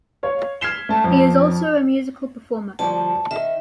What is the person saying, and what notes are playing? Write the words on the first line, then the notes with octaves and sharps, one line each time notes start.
He is also a musical performer.
C#5 F5
F6 G#6 B6 C7 E7 G7
A3 A5
F2
D2 F3 G3 A5
D#3 E5